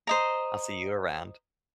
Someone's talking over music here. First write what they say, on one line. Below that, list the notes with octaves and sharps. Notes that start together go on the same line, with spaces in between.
I'll see you around.
C5 D#5 A#5